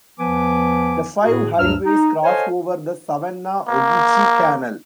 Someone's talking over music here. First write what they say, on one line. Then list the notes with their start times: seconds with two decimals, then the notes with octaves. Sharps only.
The five highways cross over the Savannah-Ogeechee Canal.
0.19 E2 F3 B3 B4 G#5 D6
1.23 A2 F#4 G#4
1.57 D2 G2 F#3 E6 F6
1.84 D#4
2.23 A4 C5 C#5 D#5 F5 G#5
3.69 A#3